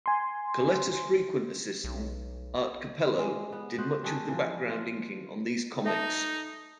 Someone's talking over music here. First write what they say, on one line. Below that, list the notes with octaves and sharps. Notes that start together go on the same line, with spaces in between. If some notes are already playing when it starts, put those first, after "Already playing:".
Colletta's frequent assistant Art Cappello did much of the background inking on these comics.
G#5 C6
B1
G3 G#3
B3
F#4 C5 D#5 F#5
G3 F#4 G#4 A4
E3 F3
F4
D#4 A4 E5 A5